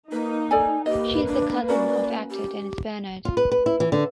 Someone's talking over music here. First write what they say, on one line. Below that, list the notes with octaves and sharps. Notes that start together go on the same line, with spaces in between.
She is the cousin of actor Denis Bernard.
A#3 D#4 B4
A4 D5 G#5
A#3 G4 B4 D#5
D4
C#4 F#4 A#4 D5
G4
F4
B4
B4
E4
E3
D3